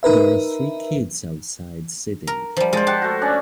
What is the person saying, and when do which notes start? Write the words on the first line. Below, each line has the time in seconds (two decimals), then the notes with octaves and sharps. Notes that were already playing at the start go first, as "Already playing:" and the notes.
There are three kids outside sitting.
0.03 D#4 A#4 B4 E5
2.27 A#4
2.57 F3 G3
2.73 G#3 F4 C5 D5
2.87 G4 F#5 A5
3.02 A3 F#4
3.22 C#4 D4 D5